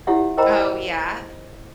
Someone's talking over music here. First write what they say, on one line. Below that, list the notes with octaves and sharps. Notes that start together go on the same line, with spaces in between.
Oh, yeah.
E4 F4 G4 C#5 E5 F#5
A#4 C5 D#5 G5 A#5 B5